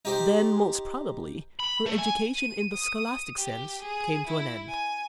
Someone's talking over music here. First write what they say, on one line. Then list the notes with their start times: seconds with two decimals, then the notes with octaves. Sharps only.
Then, most probably, her education in the scholastic sense came to an end.
0.05 D#4 G4 C5
1.60 B5
1.86 A3
1.98 G#5
2.35 D#7
2.72 D#6
3.37 G4
3.82 G#4
4.27 E4
4.69 G#5